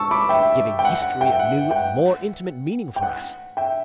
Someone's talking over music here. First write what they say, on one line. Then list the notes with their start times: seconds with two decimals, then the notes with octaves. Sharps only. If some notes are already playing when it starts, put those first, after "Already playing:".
It is giving history a new and more intimate meaning for us.
Already playing: A5 C#6 E6
0.11 B5 D6
0.29 E5 G5
0.79 G5
0.85 F#5
1.02 F#5
1.21 E5 G5
1.39 F#5
1.57 E5
1.71 G5
1.76 F#5
2.96 G5
3.03 F#5
3.57 E5 G5